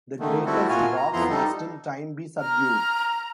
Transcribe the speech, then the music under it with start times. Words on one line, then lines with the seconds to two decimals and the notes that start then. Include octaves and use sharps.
The greatest rocks must in time be subdued.
0.20 D3 D#3 A3
0.46 G3 A3 C4 E4 F#4 A4
0.69 A#2 F4 F#4 G#5 F6
0.96 A#5
1.13 F2 F3 B3 E4 A#5 C6
1.30 G3 D#4 A4
2.40 A#5 F6